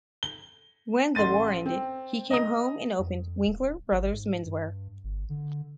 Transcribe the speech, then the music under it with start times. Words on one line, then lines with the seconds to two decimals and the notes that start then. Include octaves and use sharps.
When the war ended, he came home and opened "Winkler Brothers Menswear".
0.23 G7
1.15 A1 C6 A6 D#7
1.66 C4
2.31 D#5 A#5 D#6
2.99 F2
3.47 D#1
3.91 G#1
4.13 G#2
4.45 G2
5.04 G1
5.29 D3